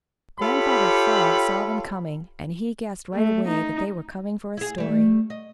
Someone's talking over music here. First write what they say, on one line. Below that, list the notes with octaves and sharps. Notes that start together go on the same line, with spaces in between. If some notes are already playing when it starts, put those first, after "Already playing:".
Grandfather Frog saw them coming, and he guessed right away that they were coming for a story.
F4 G4 A4 C#5 B5
A3
D#4
E4 G#4
G3 A3
D#5